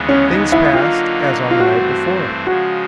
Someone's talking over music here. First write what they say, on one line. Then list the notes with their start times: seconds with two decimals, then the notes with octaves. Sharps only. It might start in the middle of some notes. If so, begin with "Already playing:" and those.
Things passed as on the night before.
Already playing: D2 C#3 E3 G#3 B3
0.09 C#4
0.31 D#4
0.52 E4
0.73 D3 F#3 A#3 D#4 F4
1.51 F4
1.60 G2 E3 A3 C4 F#4
2.47 C#3 F3 G#3 F#4